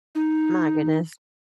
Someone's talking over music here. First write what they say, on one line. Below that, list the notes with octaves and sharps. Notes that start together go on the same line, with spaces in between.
My goodness.
D#4